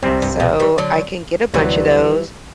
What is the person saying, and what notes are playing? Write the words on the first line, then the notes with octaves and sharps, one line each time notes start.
So, I can get a bunch of those,
C2 F#2 C3 G3 C4
G2
B2
E3 G3
D3 F#3
D2 C3 E3 F#3 G3